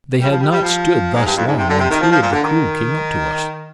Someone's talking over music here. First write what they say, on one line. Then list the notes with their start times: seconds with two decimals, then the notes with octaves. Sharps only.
They had not stood thus long, when three of the crew came up to us.
0.21 G3
0.30 F3
0.40 G3
0.51 G3
0.61 F3
1.14 G#2
1.26 G2
1.37 F2
1.46 G#2
1.58 C3
1.68 D3
1.78 C3
1.90 D#3
2.00 F3
2.11 F3
2.22 A#2
2.32 D3
2.43 D#3